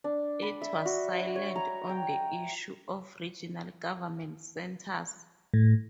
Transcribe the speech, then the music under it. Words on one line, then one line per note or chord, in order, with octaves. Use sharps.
It was silent on the issue of regional government centers.
D4
B5
E5
F#4
C#5
A#5
G5
A2